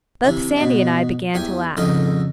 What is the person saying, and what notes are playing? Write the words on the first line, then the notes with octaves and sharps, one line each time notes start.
Both Sandy and I began to laugh.
C3 E3
G#2 B2
E2 G4 G#5
F2 G#2 C#3 A4 D#5